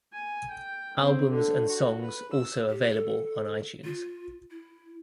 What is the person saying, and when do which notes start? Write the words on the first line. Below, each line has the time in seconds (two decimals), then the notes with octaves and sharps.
Albums and songs also available on iTunes.
0.14 G#5
0.51 G5
1.01 C4
1.30 D3
1.67 F#4
2.01 B4
2.32 E6
2.68 G4
2.91 A4
3.84 F4
4.51 E4